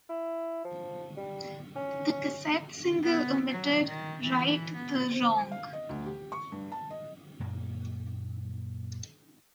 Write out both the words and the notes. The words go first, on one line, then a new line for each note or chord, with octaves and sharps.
The cassette single omitted "Right the Wrong".
E4
F3
G3
C#4
B3
F#3
D#3
E3
B3
C5
F5
D#5
D2
G4
C#6
G2
A5
D#5
F#2 A#2 A#3